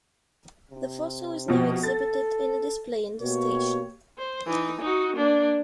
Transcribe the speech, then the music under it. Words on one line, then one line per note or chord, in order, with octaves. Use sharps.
The fossil is now exhibited in a display in the station.
C3
B2 F3
A4 A6
B2 A#3 G4 C#5
C5
E3 D#4
D#4 F#4
A#3 D4